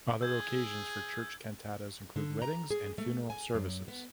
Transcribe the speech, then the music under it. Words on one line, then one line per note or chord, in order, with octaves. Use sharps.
Other occasions for church cantatas include weddings and funeral services.
G#4 E6 G6 G#6
D3
A#5
G#4
A3
G#5
F#2
B3